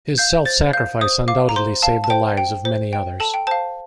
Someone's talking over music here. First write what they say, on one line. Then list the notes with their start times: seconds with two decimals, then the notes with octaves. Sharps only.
His self-sacrifice undoubtedly saved the lives of many others.
0.18 F5 G6
0.45 C5 A6
0.73 F5 G6
1.01 C5 D#6
1.28 F5 D6
1.49 A#5
1.56 C5 C6
1.83 F5 A5
2.04 A5
2.10 C5 G5
2.37 G5
2.65 C5
2.93 G5
3.20 A4 A5
3.34 G5
3.47 C5 F5 A5